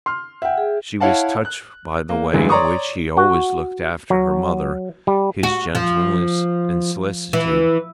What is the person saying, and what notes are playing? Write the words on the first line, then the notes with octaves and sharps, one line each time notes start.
She was touched by the way in which he always looked after her mother, his gentleness and solicitude.
C6 F6
E5 F#5 G5
G#4
E4 C#5 F5 F#5 A5
F#6
A#3
D2 G2 E3 G#3
C#5 D5 A#5 C6 C#6 D#6
F#4
F#3
G3
F#4
F3
E3